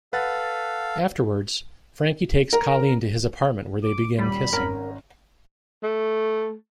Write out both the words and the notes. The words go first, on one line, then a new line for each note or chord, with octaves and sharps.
Afterwards, Frankie takes Colleen to his apartment where they begin kissing.
A4 B4 F5 F#5 A6
A#4
D6
D#1 G3 B5
G#1 C#4 A#4 A#5
A3